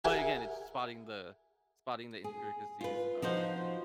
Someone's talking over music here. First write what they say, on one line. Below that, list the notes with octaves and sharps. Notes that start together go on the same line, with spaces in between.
But again, it's spotting the spotting the intricacies of
G4 G#4 A#4 E5 F#5 G#5
G#4
F4 B4
F3 D#4 F#4 C5